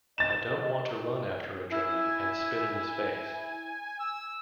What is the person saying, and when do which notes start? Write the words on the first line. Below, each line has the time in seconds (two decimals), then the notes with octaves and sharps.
I don't want to run after a German and spit in his face.
0.18 D#5 A6 E7
1.70 E4 G#5
4.00 E6